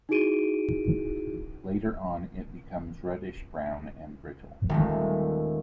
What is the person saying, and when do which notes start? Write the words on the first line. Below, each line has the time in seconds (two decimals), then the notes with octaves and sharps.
Later on it becomes reddish-brown and brittle.
0.09 D#4 E4 F#4 G#4 D7 D#7
4.69 D#1 G#3 A3